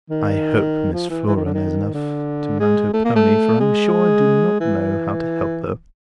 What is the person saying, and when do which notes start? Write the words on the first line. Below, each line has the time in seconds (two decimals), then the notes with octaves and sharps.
I hope Miss Flora knows enough to mount her pony, for I am sure I do not know how to help her.
0.10 D#3
0.94 F3
1.10 E3
1.27 E3
1.36 D#3
1.45 D3
1.54 D#3
1.94 D3
2.60 G#3
2.94 A3
3.05 A#3
3.16 A3
3.60 G#3
4.61 E3